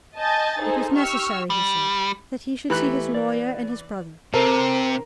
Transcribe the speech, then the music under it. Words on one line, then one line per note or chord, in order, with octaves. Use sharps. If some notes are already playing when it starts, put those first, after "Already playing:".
It was necessary, he said, that he should see his lawyer and his brother.
D#5 G#5 A5 G6 A6
D#4 G#4 A4 C5
G4 C#6 E6 F6
G3
E3 A3 G4 A#5 B5 F#6
D5
C3 A4 A#4 C5